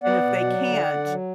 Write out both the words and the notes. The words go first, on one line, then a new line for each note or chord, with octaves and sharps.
And if they can't
B3 D5 F#5
B2
F#3
D3
D3
F#3